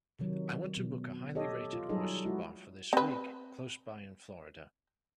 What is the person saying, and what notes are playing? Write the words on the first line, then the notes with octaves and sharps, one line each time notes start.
I want to book a highly rated oyster bar for this week close by in Florida.
C3 D#3 F#3
B2
G4 A4 C#5 D#5
F4
F#3 G3 D#4 G#4 A4 D#5
G#3 E4 F#4
C4 B4